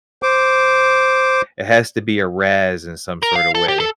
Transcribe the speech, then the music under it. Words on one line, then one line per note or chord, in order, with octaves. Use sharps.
it has to be a razz in some sort of way.
C5 D6
A#4
F5
A4
G4
A4